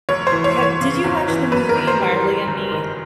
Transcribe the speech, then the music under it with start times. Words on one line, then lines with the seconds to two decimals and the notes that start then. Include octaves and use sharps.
have did you watch the movie Marley and Me?
0.09 F1 C#5
0.27 C5
0.32 E3
0.44 C#5
0.56 E3
0.63 C#5
0.81 C#3
1.04 E2
1.28 E3
1.52 F#2 B4
1.69 A#4
1.75 D#3
1.87 C5
2.00 G3
2.23 G3
2.48 F#1
2.72 D#3